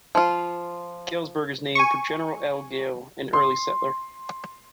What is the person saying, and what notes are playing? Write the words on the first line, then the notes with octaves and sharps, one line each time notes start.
Galesburg is named for General L. Gale, an early settler.
F3 F4
G#5 C#6
C6